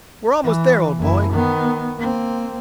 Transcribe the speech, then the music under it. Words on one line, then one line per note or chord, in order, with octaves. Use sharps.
We're almost there, old boy.
E3
F#1 E4
D#3 B3
A#3 C4